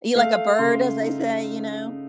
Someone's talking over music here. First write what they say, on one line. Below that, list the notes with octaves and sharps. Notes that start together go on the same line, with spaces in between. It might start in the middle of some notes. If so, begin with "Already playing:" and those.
Eat like a bird, as they say, you know?
A3 F5
C#3 C6
D#4